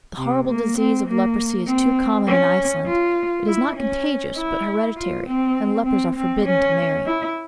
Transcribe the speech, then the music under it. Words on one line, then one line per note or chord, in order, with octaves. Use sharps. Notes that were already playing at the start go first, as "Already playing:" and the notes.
The horrible disease of leprosy is too common in Iceland; it is not contagious, but hereditary, and lepers are forbidden to marry.
C3
A#3
C4
A#3
C4
C#4
F4
E4
C#4
E4
F4
C4
C4
C4
C#4
E4